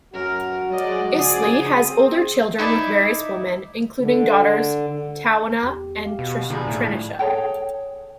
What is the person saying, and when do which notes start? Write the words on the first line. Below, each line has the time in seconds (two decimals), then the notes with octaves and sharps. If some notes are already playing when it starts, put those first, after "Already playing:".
Isley has older children with various women, including daughters Tawanna and Trenisha.
0.14 F#2 F#4 A#4
0.70 F#3 G#3 D5 D#5
1.12 C#3 F3 G#4 D5 D#6
1.74 C4 G#4
2.58 D#4 E4 A4 D5
4.00 D3
5.63 E2 G4
6.05 G4 F5
6.19 B2
6.50 B2 D3 F3 D4 G#4 A#5 B5
6.67 A2 A3 E4 G#6
7.19 G#4 A4 C#5 G5